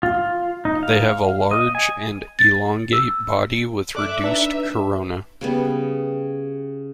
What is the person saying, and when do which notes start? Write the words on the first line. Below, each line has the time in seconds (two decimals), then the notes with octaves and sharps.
They have a large and elongate body with reduced corona.
0.03 F4
0.65 D#4
0.83 F5
1.51 D#5
1.75 G#5
2.39 A6
2.93 E6
3.95 A4 D5 E5 D6 F#6
4.24 D4 D#4 B4
5.41 C#3 G3 B3